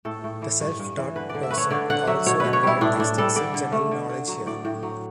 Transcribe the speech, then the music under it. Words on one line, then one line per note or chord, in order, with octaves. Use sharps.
The self-taught person also acquired extensive general knowledge here.
A2 A4
A2
E3
G2
G2
E3
D3 B4
D5
D3
E5
A3 B4
C#5
D3 D5
D3 F#5
F#3 E5
B2 C#5
B2 B4
C#5
G3 E4
A2 D4
A2 D4
G3 A4
D3 D5
D3
A3
D3
D3
F#3
A2 D5
A2
F#3